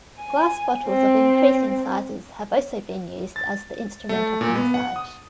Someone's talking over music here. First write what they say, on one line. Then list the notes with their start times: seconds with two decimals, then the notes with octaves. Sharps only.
Glass bottles of increasing sizes have also been used as the instrument of massage.
0.17 G#5
0.85 C4
3.36 A6
4.09 A3
4.41 A#2
4.55 B3
4.74 F#5
4.96 D#6